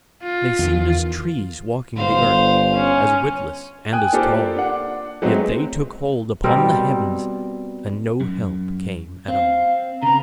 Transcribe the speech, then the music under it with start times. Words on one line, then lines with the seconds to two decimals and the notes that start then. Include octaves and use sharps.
They seemed as trees walking the earth, As witless and as tall, Yet they took hold upon the heavens And no help came at all.
0.23 F4
0.59 E2 D#3
1.96 G1 C5 F5
2.75 C#4
3.93 G5 G#5 D#6 F#6
4.13 A#3 D4 F4 G4 A4 C5
4.57 D4 F#5
5.22 F#3 G#3 A3 B3 C4 D#4
6.44 B2 G3 C4 A#4
8.21 F#2
9.28 C4 F5
10.03 C#3 B3 A#5